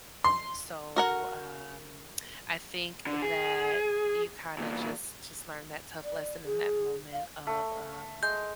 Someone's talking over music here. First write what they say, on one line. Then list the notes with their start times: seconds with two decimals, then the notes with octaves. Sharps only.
So, um, I think that you kinda just just learn that tough lesson in that moment of, um,
0.24 C6
0.96 F#4 A#4 F#5
3.07 D3
3.22 G#4
4.58 E2 A#2
6.04 D5
6.45 G#4
7.13 F5
7.47 A3
8.23 G#3 G6